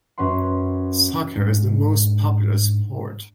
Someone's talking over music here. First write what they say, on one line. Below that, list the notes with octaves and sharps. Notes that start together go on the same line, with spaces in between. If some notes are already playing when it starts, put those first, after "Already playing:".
Soccer is the most popular sport.
F#2 C#4 B4 F#5 C6
G#2 D4